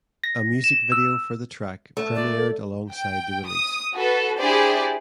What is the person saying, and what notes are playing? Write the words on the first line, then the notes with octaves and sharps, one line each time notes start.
A music video for the track premiered alongside the release.
A#6
E7
E6
A3
D5
G5
D#6
F#4 A4 B4
D4 E4 G4 G#4 C5 D5